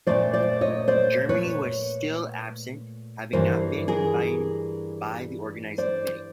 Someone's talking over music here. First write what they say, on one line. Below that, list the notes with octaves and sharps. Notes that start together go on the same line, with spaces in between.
Germany was still absent, having not been invited by the Organizing Committee.
A#2 F#3 A3 C5 D5
C5 D5
C#5 D#5
C5 D5
B4 C#5
G2 E3 G3 A#4 C5
G#4 A#4
C5 D5